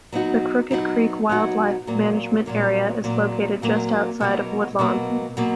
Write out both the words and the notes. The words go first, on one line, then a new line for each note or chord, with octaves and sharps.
The Crooked Creek Wildlife Management Area is located just outside of Woodlawn.
F#3 B3 D#4 F#4
F#3 B3 D#4 F#4
F#3 B3 D#4 F#4
A#2 F#3 A#3
A#2 F#3 A#3
A#2 F#3 A#3
A#2 F#3 A#3
B2 F#3 A#3
B2 F#3 A#3
B2 F#3 A#3